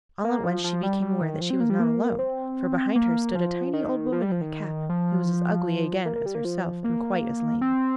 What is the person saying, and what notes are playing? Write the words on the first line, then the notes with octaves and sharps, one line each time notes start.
All at once she became aware that she was not alone, for behind her stood a tiny old woman in a cap, who was as ugly again as herself and quite as lame.
A#3
F3
F3
G3
G3
D#3
F3
C4
A#3
G3
A#3
C4
A#3
F3
D#3
F3
G3
F3
D#3
F3
A#3
A#3
G3
A#3
F3
A#3
C4